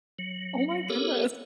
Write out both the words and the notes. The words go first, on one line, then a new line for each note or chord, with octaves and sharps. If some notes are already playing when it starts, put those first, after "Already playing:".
Oh my goodness.
F#3
B3 G4 A4 A#4 C#5